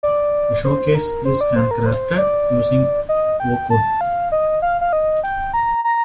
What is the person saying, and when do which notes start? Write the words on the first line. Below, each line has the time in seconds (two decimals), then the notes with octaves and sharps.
The showcase is handcrafted using oak wood.
0.03 D5
0.64 C5
0.95 A#4
1.25 C5
1.41 D5
1.56 C5
1.71 A#4
1.86 C5
2.18 D5
3.09 D#5
3.40 G5
3.70 A5
4.01 F5
4.32 D#5
4.62 F5
4.81 F5
4.93 D#5
5.24 G5
5.53 A#5
5.84 A#5